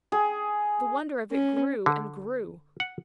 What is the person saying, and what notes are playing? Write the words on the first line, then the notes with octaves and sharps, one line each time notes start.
The wonder of it grew--and grew.
G#4
C#4
D3
F#5